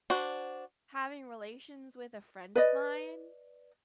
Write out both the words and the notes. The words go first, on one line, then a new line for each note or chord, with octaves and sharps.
having relations with a friend of mine
D4 F#4 C5
B4 D5 D#5